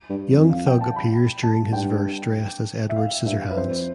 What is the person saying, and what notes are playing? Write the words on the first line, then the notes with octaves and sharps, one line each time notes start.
Young Thug appears during his verse dressed as "Edward Scissorhands".
G2
F2
F5
G5
A5
B5
A5
G2 G5
E5
F5
G2 E5
B4
F2 C5